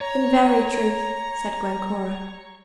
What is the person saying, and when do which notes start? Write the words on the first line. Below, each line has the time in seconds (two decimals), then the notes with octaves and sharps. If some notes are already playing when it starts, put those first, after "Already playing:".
"In very truth," said Glencora.
0.01 C#5 A#5